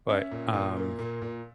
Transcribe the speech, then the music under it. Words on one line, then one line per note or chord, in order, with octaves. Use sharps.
But, um
C#4 E5
A#2
A#2
A#3
A#2
A#2